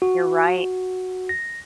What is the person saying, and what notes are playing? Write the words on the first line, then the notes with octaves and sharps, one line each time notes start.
You're right.
F#4
A#6